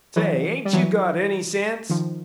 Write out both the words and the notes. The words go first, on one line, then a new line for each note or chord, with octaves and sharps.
"Say, ain't you got ANY sense?"
E3 F#3
G3
E3 F#3
D#3 F3